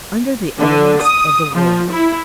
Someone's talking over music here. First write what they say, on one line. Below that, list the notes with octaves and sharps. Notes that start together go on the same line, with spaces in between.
Under the elements of the world.
D3
D#6
F3
E4